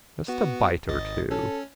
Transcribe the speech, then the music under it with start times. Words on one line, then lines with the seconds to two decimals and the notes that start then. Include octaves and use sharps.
Just a bite or two.
0.28 B3 F#4
0.89 G#1 D#5 A6
1.31 C#4 A4